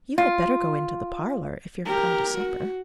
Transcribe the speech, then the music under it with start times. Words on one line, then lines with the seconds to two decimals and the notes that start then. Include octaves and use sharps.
"You had better go into the parlour, if you're come to supper."
0.18 F4
1.86 G4 A#4
2.38 F#4